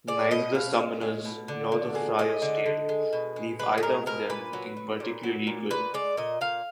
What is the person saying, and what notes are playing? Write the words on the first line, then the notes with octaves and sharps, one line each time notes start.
Neither the Summoner's nor The Friar's Tale leave either of them looking particularly good.
G#3 D5
B2 D#5
B2 F5
G#3
G#3
B2
D3
D3
G#3
G#3 D#5
D3
D3
G#3
B2
G#3
G#3 B4
G#4
G#3 A#4
B2 A#4
A#2 B4
F#3
F#3
A#2
F#3
A#2
A#2 B4
G#3 D5
A#2 D#5
A#2 F5